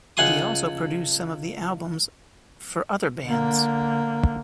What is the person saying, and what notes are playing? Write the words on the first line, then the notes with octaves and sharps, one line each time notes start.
He also produced some of the albums for other bands.
C#2 F#5 G#5 C6 D#6
D3 A#3